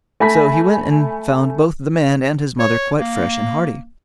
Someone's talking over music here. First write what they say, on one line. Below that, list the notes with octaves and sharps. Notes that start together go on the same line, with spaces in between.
So he went and found both the man and his mother quite fresh and hearty.
A3 G#5 A5 B5 A#6 B6
C#5
A#3